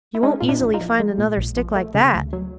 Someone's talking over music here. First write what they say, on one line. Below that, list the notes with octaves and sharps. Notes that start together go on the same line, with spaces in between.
You won't easily find another stick like that!'
E4
G#3 C#4 D#4
A#2 F4
D4 E4
A#1
D#4 F4
F3
G#3
A#2
A#1
F3
A3
C#3
D2
F#3